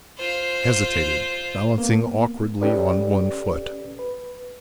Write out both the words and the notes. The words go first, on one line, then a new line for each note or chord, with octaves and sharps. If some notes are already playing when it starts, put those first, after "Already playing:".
He hesitated, balancing awkwardly on one foot.
F4 C5
A#3 B3
C#4 G4 A4 B4 D5
B4